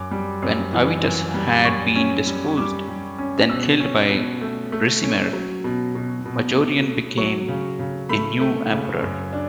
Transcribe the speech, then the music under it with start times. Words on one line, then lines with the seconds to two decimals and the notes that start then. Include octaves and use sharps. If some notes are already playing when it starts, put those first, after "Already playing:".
When Avitus had been deposed-then killed-by Ricimer, Majorian became the new emperor.
Already playing: F#2 D6
0.11 G3
0.42 F#2
0.73 E3
1.04 F#2
1.34 G3
1.65 F#2 C#6
1.96 C#4
2.27 G3
2.57 G3 D6
2.88 G3
3.18 C#4
3.49 B2 E6
3.80 C#4
4.11 B2
4.41 A3
4.72 A3
5.03 C#4
5.33 F#3
5.64 B2
5.95 B2
6.26 B2
6.56 A3
6.87 A3
7.17 F#3 C#6
7.48 C#3
7.79 C#3
8.09 A3 B5
8.41 A3
8.71 C#3
9.02 F#2
9.33 D4